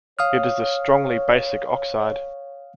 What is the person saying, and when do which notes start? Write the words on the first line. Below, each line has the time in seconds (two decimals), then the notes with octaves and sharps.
It is a strongly basic oxide.
0.19 C#5 F5 D#6 F6